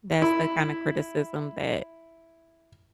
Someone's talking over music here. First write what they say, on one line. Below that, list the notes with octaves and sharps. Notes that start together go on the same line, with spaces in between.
That's the kind of criticism that
E4 B5